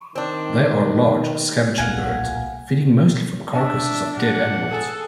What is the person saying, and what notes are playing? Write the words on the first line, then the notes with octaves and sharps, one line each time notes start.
They are large scavenging birds, feeding mostly from carcasses of dead animals.
D#3 C4 D4
D1 B1 A#2 F5 F#5 G#5
D4 E5
A#2 F#5
G#4 A4